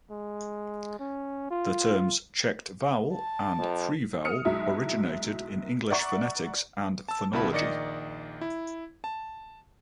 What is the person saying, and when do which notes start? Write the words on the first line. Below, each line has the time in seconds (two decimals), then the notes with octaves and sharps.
The terms "checked vowel" and "free vowel" originated in English phonetics and phonology.
0.11 G#3
0.99 C#4
1.50 F4
3.14 A5
3.58 F2
4.25 D#6 F6 C#7
4.45 B1 F#3 G#3 E4
5.90 D5 E5 F#5 A#5 C#6
7.09 A5 E6
7.33 C#2 B2 E4 A5 B5
7.52 A#1 D#3 D5 D#5 C#7
8.41 E4
9.04 A5